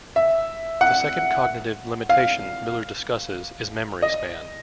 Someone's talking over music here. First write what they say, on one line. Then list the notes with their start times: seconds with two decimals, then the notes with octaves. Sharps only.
The second cognitive limitation Miller discusses is memory span.
0.16 E5
0.81 F#5
2.09 F5
4.02 D#5